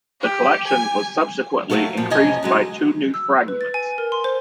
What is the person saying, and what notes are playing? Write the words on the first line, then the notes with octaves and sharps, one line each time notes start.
The collection was subsequently increased by two new fragments.
G4
G#5
F#3 A3 E4 F#4 A4 F5
A#2 F3
F2 C3 C#4 D#5 G#5
D3 F#3 G#3
E6
B4
A6
G#5
A#4
C6
C5